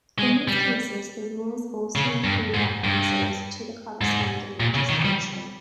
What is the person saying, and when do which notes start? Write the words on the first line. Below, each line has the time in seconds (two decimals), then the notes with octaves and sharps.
In these cases, the rules also include references to the corresponding legislation.
0.19 G#3
0.48 G3
1.96 C#3
2.24 G2
2.54 G#2
2.84 G2
4.01 G#2
4.60 A#2
4.75 C#3
4.89 D#3
5.05 G3